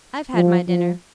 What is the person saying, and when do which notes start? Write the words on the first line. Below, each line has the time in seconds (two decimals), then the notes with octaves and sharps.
I've had my dinner.'
0.35 F3
0.68 F3